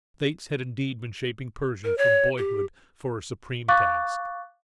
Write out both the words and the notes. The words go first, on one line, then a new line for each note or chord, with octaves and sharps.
The Fates had indeed been shaping Pershing from boyhood for a supreme task.
A#4
C#5
G4
F5 C#6 D6 F#6 A6